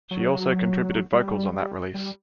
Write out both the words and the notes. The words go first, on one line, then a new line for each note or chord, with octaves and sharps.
She also contributed vocals on that release.
F#3
G3
G3
G3